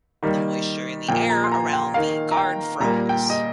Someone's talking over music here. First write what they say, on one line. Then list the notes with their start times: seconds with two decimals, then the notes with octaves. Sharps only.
The moisture in the air around the guard froze.
0.23 D#3 G3 A#3
1.08 A#2 F3 A#3 G5
1.30 A#5
1.44 C6
1.52 A#5
1.73 G5
1.94 D#3 A#3 F5
2.31 A#5
2.37 G5
2.80 A#2 G3 A#3 A#5
3.09 G5
3.30 D#5